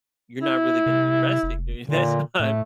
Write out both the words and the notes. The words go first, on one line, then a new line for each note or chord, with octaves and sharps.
you're not really gonna be resting during that time,
E4
C3
F1
A#2 D3
A2 A3